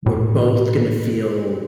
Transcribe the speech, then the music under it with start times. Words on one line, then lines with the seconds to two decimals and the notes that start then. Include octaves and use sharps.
we're both gonna feel
0.06 A2